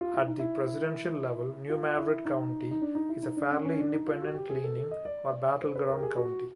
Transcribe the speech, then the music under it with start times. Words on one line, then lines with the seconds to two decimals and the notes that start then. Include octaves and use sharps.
At the presidential level, New Madrid County is a fairly independent-leaning or battleground county.
0.01 F4
0.14 E4
0.27 D#4
0.39 E4
1.69 F4
1.97 E4
2.25 D#4
2.71 D#4
2.82 D4
2.95 D#4
3.09 E4
3.23 D#4
3.37 D4
3.51 C#4
3.66 C#4
3.80 D4
3.93 D#4
4.07 F4
4.22 F#4
4.35 G4
4.50 G#4
4.64 A4
4.77 A4
4.91 D#5
5.05 D5
5.61 C5
5.75 B4
5.89 A#4
5.97 G4
6.03 G#4
6.17 F#4